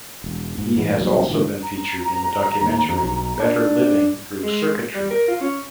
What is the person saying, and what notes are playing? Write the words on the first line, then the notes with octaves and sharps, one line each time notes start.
He has also been featured in the documentary Better Living Through Circuitry.
E1
G#2
A2 E3 G#3 B3
E1 D#2 F#3 G3
G#2 D3 E3
A#5
D#2
F2
B1
D4
G#3
G3
A#4
F4
C#4